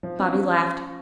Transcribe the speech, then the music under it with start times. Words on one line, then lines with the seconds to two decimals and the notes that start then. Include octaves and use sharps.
Bobby laughed.
0.03 F3
0.19 C#4
0.34 C#4